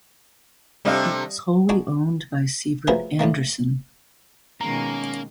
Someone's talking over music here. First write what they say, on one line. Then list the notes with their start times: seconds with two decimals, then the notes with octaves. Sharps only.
It was wholly owned by Sievert Andersson.
0.85 C3 G3 A3 D4 D#5 F5
1.69 G#3 D4 D#4 F#4
2.87 F3 F#3 A3 G#4 A#4 B4
3.19 A2 D3 A3 A#3
4.61 B2 D#3 G#3 A#3 C#4 A#5